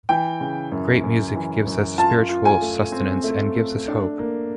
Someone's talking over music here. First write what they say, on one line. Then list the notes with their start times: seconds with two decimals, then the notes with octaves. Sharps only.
Great music gives us spiritual sustenance and gives us hope.
0.09 E3 G5
0.41 C#3
0.72 F#2
1.04 F#2
1.36 E3
1.67 F#2
1.98 F4 A5
2.29 F4
2.45 G#5
2.61 A3
2.92 C4
3.24 A3
3.56 A3
3.88 D4
4.19 A#3